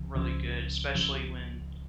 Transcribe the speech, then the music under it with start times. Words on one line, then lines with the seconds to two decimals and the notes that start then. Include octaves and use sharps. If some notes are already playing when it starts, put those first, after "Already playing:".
really good, especially when,
Already playing: C#2 C#3 F3
0.15 C#2 C#3 F3
0.95 C#2 C#3 F3